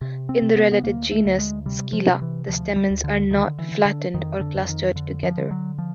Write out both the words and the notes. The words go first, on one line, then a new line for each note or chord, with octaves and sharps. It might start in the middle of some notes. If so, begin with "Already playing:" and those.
In the related genus "Scilla", the stamens are not flattened or clustered together.
C3
C4
C3
B3
B3
D2 A#3
A3
D2
G#3
C3 G3
F3
C3
E3
D2 F3
G3
D2
D3
D3 D#3
E3
D3
D3
F2 D#3
D3
F2
D#3
D3
F3
D3
F#3
F3